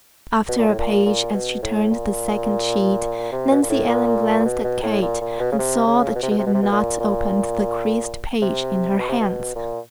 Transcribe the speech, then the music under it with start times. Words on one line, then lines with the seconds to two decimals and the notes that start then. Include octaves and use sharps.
After a page as she turned the second sheet Nancy Ellen glanced at Kate, and saw that she had not opened the creased page in her hands.
0.49 B2
0.58 A#2
0.68 A2
0.79 A#2
1.06 A#2
1.34 B2
1.62 A2
1.90 A#2
3.32 C3
3.51 B2
3.62 A#2
3.70 A2
3.89 A#2
4.39 A#2
4.45 B2
4.64 B2
4.83 A2
5.02 A#2
5.21 A#2
5.40 B2
5.52 C#3
5.59 C3
5.87 C#3
6.15 B2
6.23 C3
6.31 B2
6.38 C3
6.46 B2
6.54 C3
6.62 B2
6.72 A#2
7.00 A#2
8.42 C3
8.98 B2
9.09 C3
9.20 B2
9.56 A#2